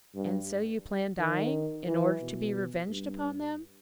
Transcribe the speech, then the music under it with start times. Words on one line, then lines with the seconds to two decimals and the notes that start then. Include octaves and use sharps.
'And so you plan dying, in order to be revenged upon them!'
0.15 G2
1.19 D#3
1.86 E3
2.20 B2
2.89 G2